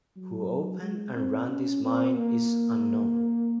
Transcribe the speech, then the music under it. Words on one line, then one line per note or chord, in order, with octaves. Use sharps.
Who opened and ran this mine is unknown.
F#3
G#3
C4
C#4
C4
A#3